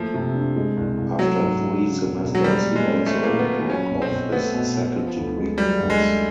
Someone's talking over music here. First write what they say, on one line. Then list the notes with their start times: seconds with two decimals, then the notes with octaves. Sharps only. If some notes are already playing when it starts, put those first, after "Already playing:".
After three semesters he also broke off his second degree course.
Already playing: F3 A3 A#3
0.14 C3
0.35 D4
0.56 G#3
0.77 C2
0.98 C2
1.19 F#3 A3
1.40 G#2
1.61 D4
1.82 C#3
2.02 E1
2.24 E1
2.35 F#3
2.44 G3 G#3
2.66 A#2
2.76 G#3
2.86 C#4
3.06 A3 C4
3.23 A#2 A#3
3.39 B3
3.49 A#2 B3
3.70 F#3 C#4
3.91 B1
4.02 C4
4.11 B1
4.32 A3 B3
4.54 B2
4.74 B2
4.95 F3
5.16 D2
5.37 G#3
5.58 F#3 G3
5.80 D2
5.90 G#3
6.00 A3